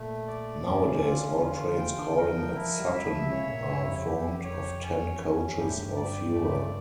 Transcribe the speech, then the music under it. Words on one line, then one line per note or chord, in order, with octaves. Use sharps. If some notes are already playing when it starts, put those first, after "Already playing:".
Nowadays all trains calling at Sutton are formed of ten coaches or fewer.
Already playing: A#2 A3
D5
C#4
E3
D3 F4
F4
E3 G5
D3
E3 A#4
F3
F3 E4
G3
E5
F3
C#3 C#5
A#2
G2 E4
F2
G4
C#5
C#4
C#4
G2 G4
A2
G2
D5
A3